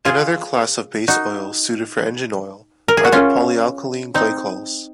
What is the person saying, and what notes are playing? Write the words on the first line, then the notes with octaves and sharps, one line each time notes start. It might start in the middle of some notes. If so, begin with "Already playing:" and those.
Another class of base oils suited for engine oil are the polyalkylene glycols.
F4 G#4
D#4 F#4
A#4
G#4
F#4
C#4 F4
C4 D#4